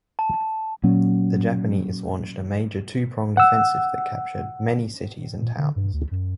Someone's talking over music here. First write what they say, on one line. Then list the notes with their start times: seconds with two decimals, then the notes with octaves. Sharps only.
The Japanese launched a major two-pronged offensive that captured many cities and towns.
0.19 A5
0.84 A#2 F#3 C#4
3.37 F#5 E6
5.40 A#2
5.58 D3
5.76 G2
5.93 D2
6.11 F#2